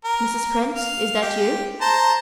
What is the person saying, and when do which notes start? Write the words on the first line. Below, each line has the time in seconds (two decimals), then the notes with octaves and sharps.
"Mrs. Prince, is that you?"
0.04 A#4
0.75 F5
1.22 G4
1.81 C5 A5 A#5